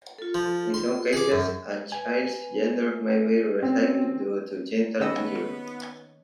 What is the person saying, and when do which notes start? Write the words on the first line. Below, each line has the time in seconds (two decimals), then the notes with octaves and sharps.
In some cases, a child's gender may be reassigned due to genital injury.
0.18 F4 A4
0.35 F3
0.74 C6
1.13 G#4 D6
1.32 F#2
1.92 B4 G#5
2.80 A3
3.63 C4 C#4
5.00 D#3 B3 C#4 C#5 D#5 E6